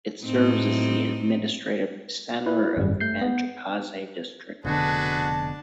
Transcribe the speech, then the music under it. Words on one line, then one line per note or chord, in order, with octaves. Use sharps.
It serves as the administrative center of Manjacaze District.
A2 C4 D#4
E4 B4
G#1 F#2 G3
A3 G6 C7
B3
F1 B2 D3 D4 F#4 G#4 B4 A5